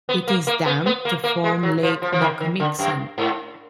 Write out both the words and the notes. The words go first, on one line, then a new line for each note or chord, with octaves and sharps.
It is dammed to form Lake Nockamixon.
B3
A#3
A#3
B3
B3
A#3
A#3
G#3
F#3
F3
F3
F3
D#3
D#3
D3
F#2
G#2